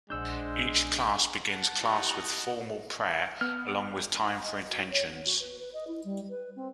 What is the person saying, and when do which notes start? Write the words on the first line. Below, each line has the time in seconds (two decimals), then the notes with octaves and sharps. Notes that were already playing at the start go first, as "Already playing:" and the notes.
Each class begins class with formal prayer along with time for intentions.
0.10 A#1 G#3 D4 C5 F#5 E6 G6
1.49 F#5 A5
1.81 D#4 E4 G4 D#5 F#5
3.41 B3 F6
4.44 D#5
4.69 F#4
4.90 C#5
5.09 B3
5.25 F#4
5.40 B4
5.59 B4
5.73 D#5
5.87 E4
6.04 G3
6.29 B4
6.56 C4